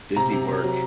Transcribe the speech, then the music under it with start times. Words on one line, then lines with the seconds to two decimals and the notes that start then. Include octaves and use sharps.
busy work
0.16 C3 A#5
0.32 C3
0.49 C3
0.64 F#3